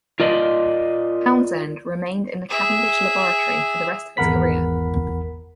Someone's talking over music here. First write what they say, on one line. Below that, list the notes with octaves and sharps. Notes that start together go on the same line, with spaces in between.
Townsend remained in the Cavendish Laboratory for the rest of his career.
F4 A#4 D5 D#5
G#4 E5
G#1 E2 A#4 F#5 B5 B6